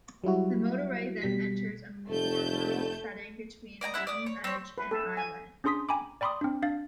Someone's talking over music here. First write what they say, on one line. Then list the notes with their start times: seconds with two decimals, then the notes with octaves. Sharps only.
The motorway then enters a more rural setting between Broomedge and High Legh.
0.24 F#3 G3 E4 F#4
1.22 B2 G3 B6
2.09 F1 A3 A5 G6
3.81 D5 D#5 G5 A#5
3.94 C#4 E4 F#5
4.07 D5 D#6
4.26 C#5
4.44 C4 C#5
4.78 B4
4.91 A4
5.17 G#5
5.64 C#4 D4 G#4 C6 D#6 B6
5.89 G5 G#5 A#5 B5 D6
6.21 D5 G5 B5 C6 D6 D#6
6.41 C4 D4
6.62 D4 F5 A6